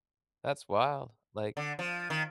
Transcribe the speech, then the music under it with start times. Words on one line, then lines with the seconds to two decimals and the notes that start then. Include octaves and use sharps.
That's wild, like,
1.57 D3
1.79 F3
2.10 D#3